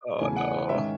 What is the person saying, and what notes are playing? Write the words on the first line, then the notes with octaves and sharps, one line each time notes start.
Oh, no.
E2 C#3 E3 A3 G#5
F#5
G#2 D#3 G#3 C#4 E5